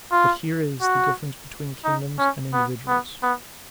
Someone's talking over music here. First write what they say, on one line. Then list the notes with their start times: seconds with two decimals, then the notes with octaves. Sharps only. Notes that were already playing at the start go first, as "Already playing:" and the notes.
But here is the difference between kingdoms and individuals.
0.11 F4
0.81 F#4
1.84 D#4
2.19 C#4
2.53 B3
2.88 B3
3.22 B3